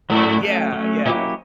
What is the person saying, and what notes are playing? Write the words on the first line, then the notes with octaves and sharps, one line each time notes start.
Yeah, yeah.
G#2 F#3 A3 C#4
F#3 A3 C#4
F#3 A3 C#4
A2 F#3 A#3 C#4 E4 G4